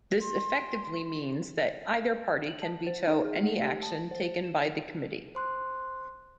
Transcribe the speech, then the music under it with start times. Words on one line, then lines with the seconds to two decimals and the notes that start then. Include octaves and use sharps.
This effectively means that either party can veto any action taken by the committee.
0.21 C6
2.48 F#7
2.62 A5
2.87 C5
3.07 D#4
3.25 G#4
3.43 A3
3.62 G4
3.82 A5
4.11 C5
4.44 E7
5.35 C5 C6 F#6